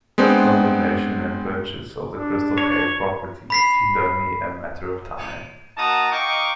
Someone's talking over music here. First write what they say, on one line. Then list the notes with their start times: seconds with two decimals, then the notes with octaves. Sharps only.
Condemnation and purchase of the Crystal Cave property seemed only a matter of time.
0.18 G#3 B3 C4 D4
2.16 D4
2.58 C#5
3.50 B5 B6 C7
5.78 A#3 D#4 F#4 A5 A#5 D#6
6.12 D#4 D#5 F5 G5 C#6 D6